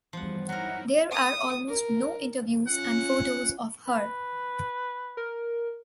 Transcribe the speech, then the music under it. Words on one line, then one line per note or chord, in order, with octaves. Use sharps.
There are almost no interviews and photos of her.
E2 G2 F3 F#5
F#3 D#4 E4 A#4 F#5
D#6
A#4
C#4 F4 F#5
B4
A#4